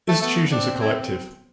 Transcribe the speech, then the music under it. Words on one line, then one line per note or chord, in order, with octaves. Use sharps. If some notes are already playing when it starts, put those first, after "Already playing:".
Institutions are collective.
A3
A3 B3
C4 D4
E4